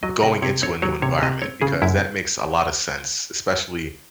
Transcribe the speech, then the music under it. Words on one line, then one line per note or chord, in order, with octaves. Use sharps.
going into a new environment, because that makes a lotta sense, especially
F#3 D#5
C3 D#5
C3 C#5
C4 C#5
F#3 C#5
C3 C#5
C3 D#5
C4 C#5
C#3 G#4
F#2 E4